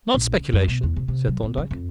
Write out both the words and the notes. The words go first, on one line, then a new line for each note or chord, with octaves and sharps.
"Not speculation," said Thorndyke.
A#1
C#3
F#2
B2
E2
C3
C3
F#3
B3
C#3
F2